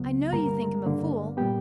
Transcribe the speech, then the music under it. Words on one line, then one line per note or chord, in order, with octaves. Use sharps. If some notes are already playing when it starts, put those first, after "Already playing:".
"I know you think him a fool."
Already playing: C#2 C#3 F#3 B3
G2 D3 G3 A#3 A#4 A#5
G2 D3 A#3
A#2 G3 B3 G4 G5